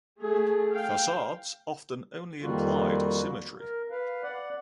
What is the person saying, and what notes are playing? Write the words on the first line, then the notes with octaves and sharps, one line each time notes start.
Facades often only implied symmetry.
A3 G#4
F5 G5
F2 D#3 G3 A#3 F4 F#4
A#4
B4 F5
D5 F#5